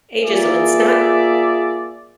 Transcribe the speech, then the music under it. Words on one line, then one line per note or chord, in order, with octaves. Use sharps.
ageism it's not
A#3 F4 G#4 D5 E5